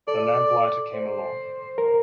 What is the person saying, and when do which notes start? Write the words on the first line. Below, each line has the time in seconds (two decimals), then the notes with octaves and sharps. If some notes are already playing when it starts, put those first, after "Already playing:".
The lamplighter came along.
0.08 A4 D5
0.93 C5
1.78 A#4